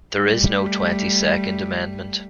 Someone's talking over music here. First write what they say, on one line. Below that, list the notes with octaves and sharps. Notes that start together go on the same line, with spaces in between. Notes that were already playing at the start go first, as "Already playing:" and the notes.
There is no Twenty-second Amendment.
G3 A3